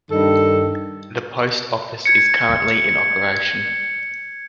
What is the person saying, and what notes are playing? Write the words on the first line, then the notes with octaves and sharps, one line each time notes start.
The post office is currently in operation.
G2 D#3 A4
G#6 C#7